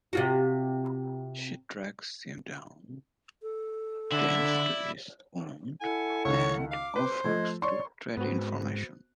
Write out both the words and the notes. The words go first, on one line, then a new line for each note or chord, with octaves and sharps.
She tracks him down, tends to his wound, and offers to trade information.
C3 F4 F#4
A4
D3 E4 D5 E5
E4 A4 F#5 G#5
C#2 D#3 C#5
F5 D6
B4 C5
F3 A3 D#5 F#6 G#6
C#5 D5 C6 C#6
G#2 B3 C4 F#4